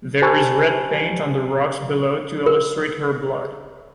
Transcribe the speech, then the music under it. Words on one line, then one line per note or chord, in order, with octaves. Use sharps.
There is red paint on the rocks below to illustrate her blood.
G4 C5 G#5 A5 B5 C#6
A#4